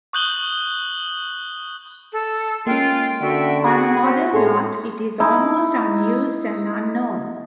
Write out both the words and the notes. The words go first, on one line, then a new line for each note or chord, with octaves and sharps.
On a modern yacht, it is almost unused and unknown.
C#6 D#6 F#6 G6 F#7 G7
A4
G#3 A#3 C#4 F4 G5
D3 F#4 E5
F#4 G#4
C4 C#4
A2 G#4 A4 C#5 C6
D#4 E4